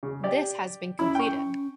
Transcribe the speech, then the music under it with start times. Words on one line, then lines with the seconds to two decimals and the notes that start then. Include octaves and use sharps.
This has been completed.
0.03 C#3
0.24 G4 D5
0.99 C#4 E4 B5
1.15 G5 C#6